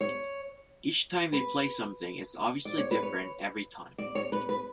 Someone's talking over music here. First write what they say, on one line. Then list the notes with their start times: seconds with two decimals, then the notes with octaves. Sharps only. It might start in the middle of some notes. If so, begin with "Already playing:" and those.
Each time they play something it's obviously different, every time.
0.01 C#5
1.33 B4
2.65 D5
2.78 C#5
2.91 B4
3.03 C#5
3.98 D5
4.15 C#5
4.32 B4
4.49 B4